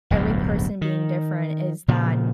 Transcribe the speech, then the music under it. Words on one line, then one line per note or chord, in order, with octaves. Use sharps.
every person being different is that
D1 B1 E2 G2
D#3
A#2 C#3 F3